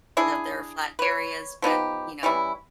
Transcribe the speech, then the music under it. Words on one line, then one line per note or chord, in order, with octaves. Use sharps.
you know, there are flat areas, but, you know
D4 E4 G#4
B4 C#5
F3 B3 D#4 G4
E3 G3 C#4 E4